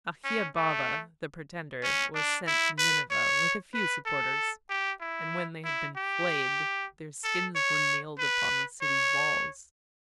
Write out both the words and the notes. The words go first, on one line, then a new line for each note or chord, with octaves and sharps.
Akhiababa the pretender was sent to Nineveh with a few supporters; and when they had been flayed their skins were nailed upon the city walls.
C#4
A3
C#4
D4
E4
B4
C#5
B4
A4
G4
E4
E4
G4
A4
C#5
B4
C#5